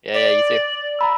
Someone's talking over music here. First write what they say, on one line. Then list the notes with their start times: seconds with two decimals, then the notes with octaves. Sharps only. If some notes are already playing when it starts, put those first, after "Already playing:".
Yeah, yeah, you too.
0.14 D5
0.99 A#5 B5 E6